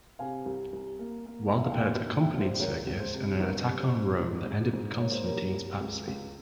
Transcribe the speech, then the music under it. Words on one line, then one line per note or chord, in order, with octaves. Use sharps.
Waldipert accompanied Sergius in an attack on Rome that ended Constantine's papacy.
C3 F5 G#5
C2
C2
A#3
A#3
E2 E5
F5
G5
A#3 F5 G#5
G#2
E5 G5
A#1
C5 E5
C#2 A#4 C#5
C#2
C5
C3
G1 A#4
G3
C5
C3
G#2
G#2
G#2
A#3 C#5
C5
G3 A#4 C#5
C2
C#2
C#2